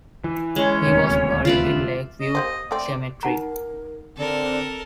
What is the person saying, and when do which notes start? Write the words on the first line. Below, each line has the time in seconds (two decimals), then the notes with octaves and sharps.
He was buried in Lake View Cemetery.
0.24 E3
0.56 G#3 C#4 C#5
0.86 D#1 D2 C3
1.45 F4 B4 D5 E5
2.21 D#5
2.35 A#3 G4 C5
2.71 A3 C4 D5
3.23 D#4 A#4 F#5 A#5
4.17 D3 C4 A4 A#4